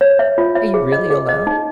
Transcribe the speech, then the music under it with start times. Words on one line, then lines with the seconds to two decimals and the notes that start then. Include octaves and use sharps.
Are you really alone?
0.01 C#5
0.19 E5
0.38 F4
0.55 E5
0.74 G#4
0.92 D#5
1.10 G#4
1.29 D#5
1.47 D#4